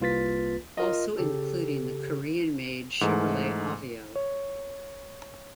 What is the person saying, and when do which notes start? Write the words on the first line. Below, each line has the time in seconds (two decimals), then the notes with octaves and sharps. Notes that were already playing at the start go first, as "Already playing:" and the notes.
Also including the Korean made Chevrolet Aveo.
0.01 C2 A#3 F4 B4 A6 B6
0.77 F4 A#4 D#5
1.17 C#3 G4 A4
3.01 G#2 E3 A3 D#4
4.16 C#5